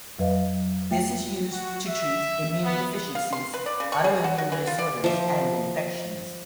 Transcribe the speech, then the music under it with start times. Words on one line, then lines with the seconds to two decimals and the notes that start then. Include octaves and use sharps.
This is used to treat immune deficiencies, autoimmune disorders, and infections.
0.19 F2 F#3 B4 D#5 F5
0.91 A3 F4 E5 G5
1.52 F#4
1.87 E5
2.64 B3
3.15 F5
3.33 C6
3.54 B4
3.66 D5
3.80 C#3
3.92 C#6
4.04 G#4
4.24 F#4
4.38 F#4
4.52 E3
4.67 F4
4.79 D5
5.04 F3 E5